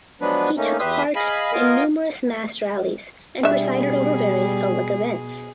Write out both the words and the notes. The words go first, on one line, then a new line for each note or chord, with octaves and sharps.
He took part in numerous mass rallies and presided over various public events.
F3 F#3 G#3 B3 D4 B4
A3 A#3 C#4 D#4
E2 G4 B4 E5 C6 D#6
G#4 D#5 F5 G#5 B5
B3 F4 A#4 D#5 F5 G#5
B2 G3 D4 G#4 E5